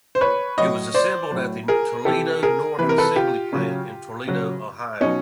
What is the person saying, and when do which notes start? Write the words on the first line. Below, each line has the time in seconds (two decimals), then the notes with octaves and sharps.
It was assembled at the Toledo North Assembly Plant in Toledo, Ohio.
0.15 C5
0.21 B4 C#5
0.57 A2 F#3 C#5 D#5
0.94 C5 D5
1.31 A2 F#3
1.68 G#4 A#4
2.05 C3 E3 G4 A4
2.43 G#4 A#4
2.79 C3 E3 B4
2.89 A#4
2.98 A4 B4
3.16 F4 G4
3.53 C#3 F#3
4.27 C#3 F#3
5.01 B2 F#3 C#4 D#4